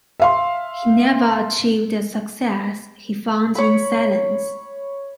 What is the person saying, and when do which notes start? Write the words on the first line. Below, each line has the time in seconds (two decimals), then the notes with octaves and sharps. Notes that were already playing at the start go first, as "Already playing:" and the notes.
He never achieved the success he found in silents.
0.20 E5 F5 C6
3.55 C#5 B5